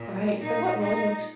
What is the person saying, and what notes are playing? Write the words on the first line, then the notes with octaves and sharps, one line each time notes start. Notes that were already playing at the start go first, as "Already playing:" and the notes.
Right. So what role does
Already playing: A#2
A#2 D#4
D#4